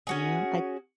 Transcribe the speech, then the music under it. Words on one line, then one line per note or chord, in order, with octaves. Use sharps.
Yeah, I
C#4 F#4 G#4